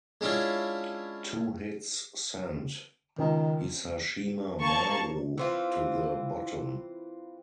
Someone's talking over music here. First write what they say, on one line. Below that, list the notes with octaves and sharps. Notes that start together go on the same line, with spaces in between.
Two hits sent "Hisashima Maru" to the bottom.
G#3 C#4 D4 E4 F4
C#2 D#3
A#3 A5 C#6
E3 C4 F4